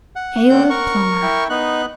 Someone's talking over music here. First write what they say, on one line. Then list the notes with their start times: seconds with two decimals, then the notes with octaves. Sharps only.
'Caleb Plummer.
0.16 F#5
0.50 D3 C4 G6
0.70 A#4 C#6
1.22 E4 G5
1.50 B3 D#4 F#6